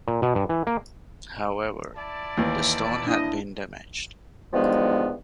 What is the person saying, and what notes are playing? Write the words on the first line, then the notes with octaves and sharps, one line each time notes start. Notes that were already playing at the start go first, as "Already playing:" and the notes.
However, the stone had been damaged.
A#2
B2
G2
E3
A#3
E4 D5 A5
D#2 E3
D4 E4 D#5
E2 G2 D#3 F3 G#3 B3